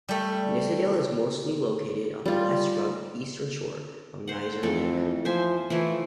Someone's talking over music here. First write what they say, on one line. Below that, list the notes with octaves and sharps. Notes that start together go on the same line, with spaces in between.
Nissedal is mostly located on the less rugged eastern shore of Nisser Lake.
G3 A3
G3 F4
C5 F#5
F2 E3 A3 A4
F3 C5 E5 G#5
E3 F3 A3 E4